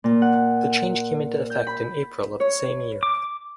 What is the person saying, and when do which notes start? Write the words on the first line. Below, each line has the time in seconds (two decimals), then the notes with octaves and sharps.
The change came into effect in April of the same year.
0.04 A#2
0.22 F#5
1.50 G6
1.67 B5
2.40 C#5
3.03 D6